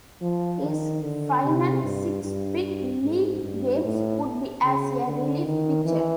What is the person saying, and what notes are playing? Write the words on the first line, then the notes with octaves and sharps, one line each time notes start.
His final six big-league games would be as a relief pitcher.
F3
D#3
D3
C3
G2
G2
G#2
G2
A2
C#3
D3
D#3
E3